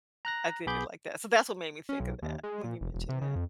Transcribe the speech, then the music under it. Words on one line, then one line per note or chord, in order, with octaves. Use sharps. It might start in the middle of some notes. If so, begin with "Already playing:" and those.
I did it like that. So that's what made me think of that when you mentioned that.
A#5 F#6 A#6
B1 B3 G#4 B5 D6 G6
C#4
B1
D#2
G#3
A#2
F1
E1
C3
C#3
F2